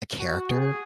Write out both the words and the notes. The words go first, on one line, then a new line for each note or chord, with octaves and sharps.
the character
F#4
G#4